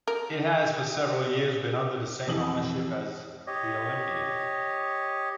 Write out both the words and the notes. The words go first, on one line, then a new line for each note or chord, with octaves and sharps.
It has for several years been under the same ownership as the Olympia.
A#4
F2 E3 D#6 F#7
G4 C#5 D#5